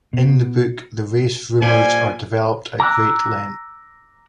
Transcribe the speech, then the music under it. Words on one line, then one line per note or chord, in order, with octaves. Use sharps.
In the book, the race rumors are developed at great length.
B2
A#2 F3 G3 F4 G#5
A#5 D6 E6 F#6